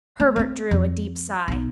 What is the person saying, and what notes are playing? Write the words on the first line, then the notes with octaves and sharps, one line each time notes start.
Herbert drew a deep sigh.
A3
A3 C4
F2
B1 D#4